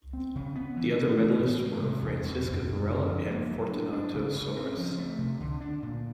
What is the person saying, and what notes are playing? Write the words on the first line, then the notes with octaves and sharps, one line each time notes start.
The other medallists were Francisca Varela and Fortunato Soares.
C4
C#3
B3
E3
A3
E3
A2
G#3
C3
E2
B2
F#2
F#2
C#3
F3
A#3
F#3
D4
D4
C#3
C#3
C4
F3
A3
C3
D3
D4
A#2